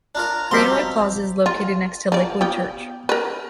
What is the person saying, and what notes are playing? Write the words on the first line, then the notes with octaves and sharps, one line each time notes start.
Greenway Plaza is located next to Lakewood Church.
D4 F4 A#4 A#5
B2 F3 G3 C4 F5 C6 B6
F4
F3 D5
B3 F4 G4
A#4 B4